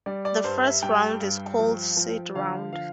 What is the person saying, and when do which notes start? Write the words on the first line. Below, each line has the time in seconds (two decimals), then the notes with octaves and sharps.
The first round is called seed round.
0.06 G3 D5
0.25 D5
0.44 G2 C5
0.63 E5
0.83 G3 G5
1.21 G2
1.59 F3
1.97 F3
2.35 D3 F5
2.73 F3 F5